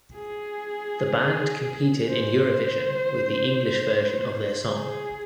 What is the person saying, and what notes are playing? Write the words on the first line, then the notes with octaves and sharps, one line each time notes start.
The band competed in Eurovision with the English version of their song.
G#4
C5
G#4